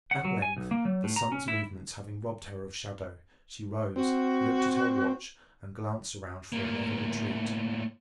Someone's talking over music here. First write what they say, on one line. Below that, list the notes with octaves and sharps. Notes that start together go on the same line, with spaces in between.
At length, the sun's movements having robbed her of shadow, she rose, looked at her watch, and glanced around for another retreat.
F#5
F#3
G#5
B1
A#3
F#3
A2
A#5
C#4
E4
C4 F#4
A2 A#3